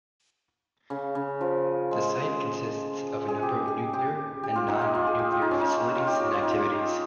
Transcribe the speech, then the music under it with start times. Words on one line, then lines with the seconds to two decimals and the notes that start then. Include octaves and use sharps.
The site consists of a number of nuclear and non-nuclear facilities and activities.
0.90 C#3
1.15 C#3
1.41 F3
1.91 G#3
3.28 G#4
3.43 G4
3.68 G#4
3.93 G4
4.43 G4
4.56 F4
4.68 D#4
4.81 D#4
4.95 F4
5.07 G#4
5.19 G4
5.32 F4
5.42 D#4
5.51 C#4
5.61 D#4
5.96 F4
6.07 G4
6.20 G4
6.33 F4
6.43 D#4
6.52 F4